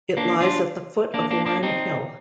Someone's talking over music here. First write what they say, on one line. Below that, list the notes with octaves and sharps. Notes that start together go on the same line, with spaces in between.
It lies at the foot of Warren Hill.
A#3 D4
D4 F4
A#3 D4
A#3 D4
A#3 D4
C4 D#4